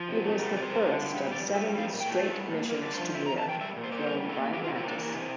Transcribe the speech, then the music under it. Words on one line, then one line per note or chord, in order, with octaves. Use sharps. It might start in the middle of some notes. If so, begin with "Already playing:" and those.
It was the first of seven straight missions to "Mir" flown by "Atlantis".
Already playing: F3
C3
A3
G3 A#4
C3 D5
C5
A#3
D3
G2
G3
E3 D5
G2
E5
G3
F3 F5
A#2
G5
A3
G3 A4
A2
A#3
D3 A#4
G2 D5
C5
F3
C3 E5
A#5
E2
A5
E3 G5
G3 E5
A#2
C5
A#3 D5
C5
G3 A#4
A2
A4
A#3
E3 G4
F4
C3
E4
A#3 D4
E3 A#3
C3